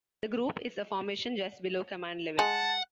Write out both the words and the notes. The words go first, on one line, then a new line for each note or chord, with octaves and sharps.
The group is a formation just below command level.
G#3 F#5 A5